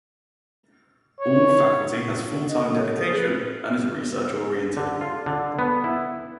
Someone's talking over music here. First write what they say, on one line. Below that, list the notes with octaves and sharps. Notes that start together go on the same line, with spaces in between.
All faculty has full-time dedication and is research oriented.
C#5
D#5
C#5
G#4
B4
D3
F4
D3
B3
E4